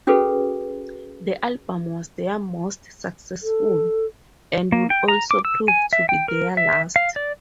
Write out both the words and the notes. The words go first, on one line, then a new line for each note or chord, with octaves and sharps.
The album was their most successful, and would also prove to be their last.
C#4 F#4 G#4 A4 B4
A4
A#3
G5
A#5
D6
E6
G#5
E5
G5
A#4
E5
F5
D5